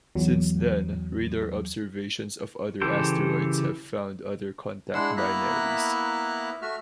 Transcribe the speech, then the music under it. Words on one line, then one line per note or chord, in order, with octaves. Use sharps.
Since then radar observations of other asteroids have found other contact binaries.
E2 F#3
C#3 E3 G4 A4 C5
G#3 D4 E4 F#5 C6 E6
A#3 B3 E4 E5 A#5 F#6
A3 F#4 E5 F6